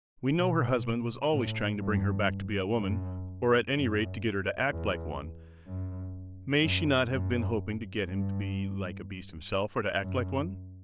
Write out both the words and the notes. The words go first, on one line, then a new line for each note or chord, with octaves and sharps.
We know her husband was always trying to bring her back to be a woman, or at any rate to get her to act like one, may she not have been hoping to get him to be like a beast himself or to act like one?
B2
A2
G2
F#2
F#2
E2
F#2
F#2
F#2
G2
F#2